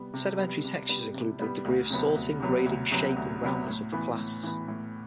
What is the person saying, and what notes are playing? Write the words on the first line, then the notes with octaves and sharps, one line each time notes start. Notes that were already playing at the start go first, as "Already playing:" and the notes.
Sedimentary textures include the degree of sorting, grading, shape and roundness of the clasts.
Already playing: C3 G3 B3
C3
G3 B3
C3
G3 B3
C3
G3 B3
D2
C3 F#3 B3
D2
C3 F#3 B3
D2
C3 F#3 B3
D2
C3 F#3 B3
A2
E3 B3
A2
E3 B3
A2